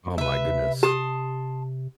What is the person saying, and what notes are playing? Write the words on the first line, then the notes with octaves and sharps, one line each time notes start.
Oh my goodness.
C3 B4 E5
G4 A5 C6 D#6